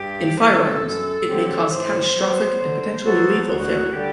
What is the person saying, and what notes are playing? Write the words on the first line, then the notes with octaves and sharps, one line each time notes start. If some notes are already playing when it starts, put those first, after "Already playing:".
In firearms, it may cause catastrophic and potentially lethal failure.
Already playing: G2 G4
E3 A3 A4 C5
F#2
D3 F#3 C4 G4
A2 C5
F#3 B3
D3
F#3 B3 F#4 A4
D2 F#4
D3 G3 G4